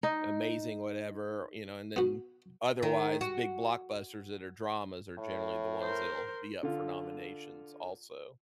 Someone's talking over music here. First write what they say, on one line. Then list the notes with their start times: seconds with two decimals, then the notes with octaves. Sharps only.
amazing whatever, you know? And then otherwise, big blockbusters that are dramas are generally the ones that'll be up for nominations also.
0.03 D#4
1.96 B3 F#4
2.83 D#3
3.21 F#4
5.18 A2
5.81 A#4 C5
6.63 D3 F4